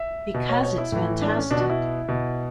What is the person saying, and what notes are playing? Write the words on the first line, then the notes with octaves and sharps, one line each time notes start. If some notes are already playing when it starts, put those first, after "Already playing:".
Because it's fantastic.
Already playing: E5
B2
C#5
C#5
E4
A2 E3
D4
C#4
B2 D4
F#4
E4
B2